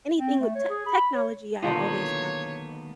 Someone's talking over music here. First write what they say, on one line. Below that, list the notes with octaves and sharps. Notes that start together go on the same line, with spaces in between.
anything with tech technology, I always have, like, a
C4
A3
C#5
G#4
B5
C#5
B2 D3 D#3 F#3 A#3 B3 F4 C#5